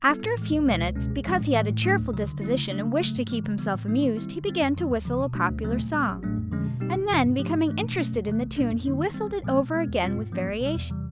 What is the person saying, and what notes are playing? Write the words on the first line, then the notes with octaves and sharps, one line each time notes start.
After a few minutes, because he had a cheerful disposition and wished to keep himself amused, he began to whistle a popular song; and then, becoming interested in the tune, he whistled it over again with variations.
G3 B3 E4 A4
A2
E3 G#3
C#2
B2 G#3
C#2
B2 G#3 C#4
A#1
A#2 F3 G#3 C#4
A2
E3 A3
A2
F#3 A3 D4
D2
C#3 F#3
D3
F#3 A3 C4 E4
C#3
F#3 A3 D4
C#3
F#3 A3
G#2
E3 G#3
C#3
E3 G3 B3
A2
F#3 A#3 D#4
D#3
G3 C4 E4
D3
G3 C4
F#2
D#3 F#3 B3
D2
C#3 F3
B2
F#3 A3 D4 F#4
D2
C#3 F#3 A3 C4
A#2
G3 B3
A1
A2 F#3 A3 D4
F2
D3 F3 G#3 C#4
B2
G3 C4 D#4 G4
G1
F2 C3 F3
G#2
F3 A3 D4 G4
G#2
E3 A3 D4
B2
F#3 A3 C#4
E2
C3 E3 A3
B1
A#2 G3 A#3 D4
F2
D3 F#3 A#3 D#4
D#3
G3 C4
A#1
A#2 F3 G#3 B3
B2
G#3 B3
E2
B2 G3 C4 F4
G#2
F3 A#3 C#4
B1
B2 G3
E2
C3 E3 G3